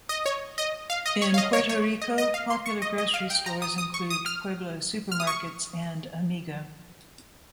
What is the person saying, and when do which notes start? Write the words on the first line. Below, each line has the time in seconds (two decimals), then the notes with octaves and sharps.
In Puerto Rico, popular grocery stores include Pueblo Supermarkets and Amigo.
0.09 D#5
0.26 C#5
0.58 D#5
0.90 F5
1.06 D#5
1.22 C#5
1.34 F5
1.38 D#5
1.53 C#5
1.69 C#5
2.02 D#5
2.18 D#5
2.34 F5
2.50 C6
2.66 C#6
2.82 D#5
2.98 D#5
3.14 F5
3.30 G5
3.46 A#5
3.62 D#6
3.78 D#6
3.94 C#6
4.10 D#6
4.26 F6
5.12 F6
5.20 D#6
5.27 C#6